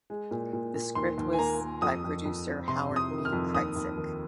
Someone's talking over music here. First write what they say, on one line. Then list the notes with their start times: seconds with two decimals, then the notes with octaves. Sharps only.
The script was by producer Howard B. Kreitsek.
0.10 G#3
0.31 A#2
0.53 A#2
0.74 A#2
0.95 D#2 C6
1.18 D#2
1.33 G#5
1.39 A#3 A#5
1.61 A#3
1.82 F2 D#6
2.04 F2
2.25 F2
2.47 C4
2.68 C3 C6
2.90 C3
2.96 D#6
3.10 D#3
3.25 F6
3.33 F2
3.54 D#2 D#6
3.76 D#2
3.97 D#3